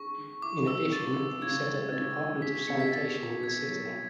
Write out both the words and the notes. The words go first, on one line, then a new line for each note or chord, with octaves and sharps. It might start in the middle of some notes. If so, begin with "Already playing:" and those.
In addition, he set up a department of sanitation in the city.
Already playing: D4 G#4 C#6
D3
E4 D6
F#3 E6
D3 A6
B3
C#3 G#6
G#3
C#3 A6
D4
G#4 B6
B6
B2 C#7
B6
B2 A6
G#4
B2 G#6
F#3
F#3